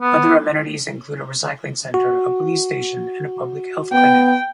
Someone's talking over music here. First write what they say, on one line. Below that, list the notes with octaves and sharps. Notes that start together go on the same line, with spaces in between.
Other amenities include a recycling centre, a police station, and a public health clinic.
B3
F#4
B3 G5